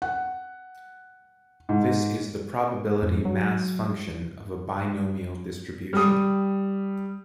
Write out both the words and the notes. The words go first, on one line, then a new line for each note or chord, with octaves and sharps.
This is the probability mass function of a binomial distribution.
F#5
G#2
F2
F#3
G3 D#6